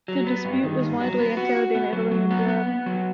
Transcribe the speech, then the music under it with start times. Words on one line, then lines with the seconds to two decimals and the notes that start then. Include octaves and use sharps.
The dispute was widely echoed in Italy and Europe.
0.08 F#3
0.27 B3
0.45 G2
0.63 D#3
0.82 G2
1.00 F#3
1.20 B3
1.37 F#4
1.56 F#4
1.75 B3
1.93 F#3
2.11 F#3
2.31 B3
2.48 B3
2.68 B3
2.86 F#3